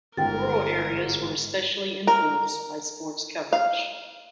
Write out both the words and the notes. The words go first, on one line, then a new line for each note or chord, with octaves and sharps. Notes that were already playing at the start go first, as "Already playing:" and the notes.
Rural areas were especially influenced by sports coverage.
G1 G#2 A#4 G5 A6
A#4
F5